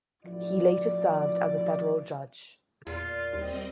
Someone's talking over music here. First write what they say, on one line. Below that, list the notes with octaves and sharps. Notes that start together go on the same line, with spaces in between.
He later served as a Federal Judge.
A1 F3 E4 F#4 D5
E2 A#2 F4
D#2 G3 C4 D#5